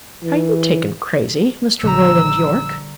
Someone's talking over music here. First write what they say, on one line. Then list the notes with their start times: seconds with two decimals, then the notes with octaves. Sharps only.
"Are you taken crazy, Mr. Roland Yorke?"
0.23 E3
1.83 A#1 D3 G3 A#5 E6